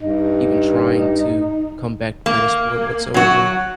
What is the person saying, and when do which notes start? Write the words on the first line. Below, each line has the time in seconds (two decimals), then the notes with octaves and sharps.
even trying to come back to play the sport whatsoever
0.02 G2 D#4
2.26 A#3
3.14 F#3 F#4